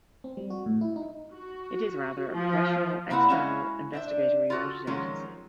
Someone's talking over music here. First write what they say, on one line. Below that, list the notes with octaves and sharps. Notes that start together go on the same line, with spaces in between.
It is, rather, a professional external investigatory audit agency.
C4
G3
F#4
A2
E4
D#4
F#4
F3
A#3 C4 E4 B4 F#5
G#3 C#4 E4 F#4 E5 F5
D4 C5 E5
F4 F#4 A4
D#3 F3 F#3 G#3 C#4 F4